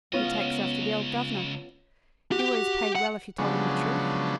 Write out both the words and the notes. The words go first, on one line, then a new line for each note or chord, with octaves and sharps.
You takes after the old governor; he always paid well if you told him the truth.
C#2 B3 C#4 F4 D#5
F#4 G4
F#5
C#3 F3 F#3 G#3 B3 D4